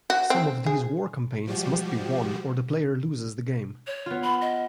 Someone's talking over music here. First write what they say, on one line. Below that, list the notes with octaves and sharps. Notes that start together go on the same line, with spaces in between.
Some of these war campaigns must be won or the player loses the game.
F#4
C4
G#4
F3 G3 G#3 F#4 G4
C#5
B3 F4
B5
D#5